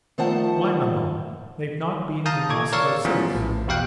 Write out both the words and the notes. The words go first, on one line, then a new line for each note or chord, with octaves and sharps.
Why, maman, they've not been in Moscow since!
D#3 F3 A3 C5 F#5 A5
F5 A5 A#5 D#6 G6
A#2 A4 C#6 D6 G#6
A#4 C#5 D5 F5 C#6 E6
E3 F3 B3 C#4 F4
A#1 A2
E2 B2 G4 F5 G5 F#6